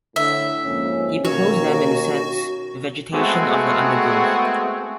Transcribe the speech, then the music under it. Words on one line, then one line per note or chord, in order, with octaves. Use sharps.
He proposed them in the sense "Vegetation of the undergrowth".
A2 D3 E5
F2 G#2 A#3 C#4
D#2 B2 D#3 C#4 F#4 C#5
G#3 A3 B3 C4 F#4 G#4